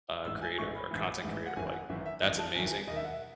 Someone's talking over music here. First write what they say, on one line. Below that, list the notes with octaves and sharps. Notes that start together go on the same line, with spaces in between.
uh, creator or content creator, like, that's amazing,
A1 G#2 E3 E6
G#5
A1 G#2 E3 C#6
B5
A1 G#2 E3
A1 G#2 E3
F#5
G#1 F#2 E3 G#5
F#5
G#1 F#2 E3 E5
E5
G#1 F#2 E3 D#5
A5
G#1 F#2 E3 G#5
G#5
E1 D#2 D#3 D#5
E5
F#5
E5